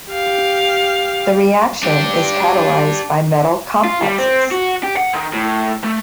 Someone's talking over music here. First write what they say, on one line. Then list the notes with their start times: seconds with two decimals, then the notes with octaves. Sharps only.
The reaction is catalyzed by metal complexes.
0.10 G4 F5
1.83 D4 G4
3.85 F4
4.02 G3
4.19 C4
4.51 F#4
4.84 G4
4.97 F#5
5.13 D#3
5.33 A2
5.84 A3